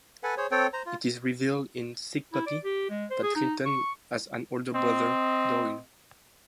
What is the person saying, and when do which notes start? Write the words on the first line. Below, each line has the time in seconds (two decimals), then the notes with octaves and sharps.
It is revealed in "Sick Puppy" that Clinton has an older brother, Doyle.
0.23 A4 B4 F#5 G#5
0.38 G#4 C5 C#5
0.51 C4 A4 C#5 G5
0.73 C5 A#5
0.86 F4
2.33 E4
2.46 D5
2.64 G4
2.89 G#3
3.10 C5
3.23 G#4
3.36 D#4
3.66 C#6
4.74 C4 D#5